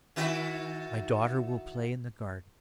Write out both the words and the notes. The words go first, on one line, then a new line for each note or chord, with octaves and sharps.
My daughter will play in the garden.
D#3 E4 F#4